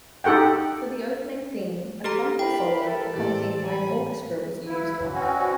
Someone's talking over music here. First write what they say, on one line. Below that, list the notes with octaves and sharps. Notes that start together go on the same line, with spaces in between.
For the opening theme, a trumpet solo accompanied by an orchestra was used.
D#4 G4 A4 F#5 G5
G4 A4 D#5 A#5 F6
E4 G4 A#4 G5 B5
A4
A2 E3 G4 C5 D5
G#5 B5
E4 F4 B4
D2 E3 F#3 E4 B4
C4 C#4 F#4 F#5
C#5 D5